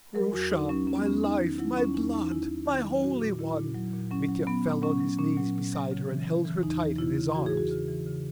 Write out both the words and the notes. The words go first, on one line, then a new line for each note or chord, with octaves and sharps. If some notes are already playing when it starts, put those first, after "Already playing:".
"Grusha, my life, my blood, my holy one!" Mitya fell on his knees beside her and held her tight in his arms.
F#3 A#4
E2 F#4
E2 D#4
F#3 C#4
F#3 C#4
B3
E2 C#4
F#3 D#4
D#3
F#3 E4
E2 C#4
E2 D#4
E2 D#4
E2 E4
E2
D#3
F#3
A#2 F#4
A#2
A#2 E4
A#2
F#3
A#2
F#3 C#4
F#3
F#3 B3
A#2
F#3 C#4
F#3
A#2 C#4
F#3
A#2
F#3
C#3
E3
E3
E3
E2 D#4
E3
C#3 E4
C#3
E3 F#4
G#4
E2 F#4
C#3
E3
C#3